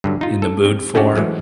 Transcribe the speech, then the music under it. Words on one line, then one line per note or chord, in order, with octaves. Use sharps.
in the mood for.
G2 D3 F#3
D#4 F4
A4
C4
A3 C#4 D4 F#4 G4
E3 F#3 G#3 A3